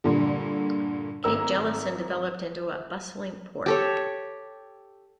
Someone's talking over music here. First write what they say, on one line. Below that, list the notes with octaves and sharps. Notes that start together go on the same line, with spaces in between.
Cape Jellison developed into a bustling port.
G2 A#2 D3
G#1 A#4 E6
G4 A4 C#5